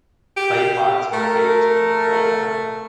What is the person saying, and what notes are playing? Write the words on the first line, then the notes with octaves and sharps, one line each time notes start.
Clay pots are baked in a clay oven.
G4
A3 A#4